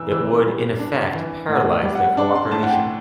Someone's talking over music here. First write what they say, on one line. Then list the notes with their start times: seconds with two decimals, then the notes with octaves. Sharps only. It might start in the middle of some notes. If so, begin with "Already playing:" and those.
It would, in effect, paralyse their co-operation.
Already playing: E3 E6
0.12 E3 E6
0.46 G3
0.80 D4
1.15 E3
1.49 A2 F#5
1.72 D5
1.83 G3
1.95 F#5
2.17 D4 D5
2.35 C6
2.51 A2 A5
2.63 F#5
2.70 G5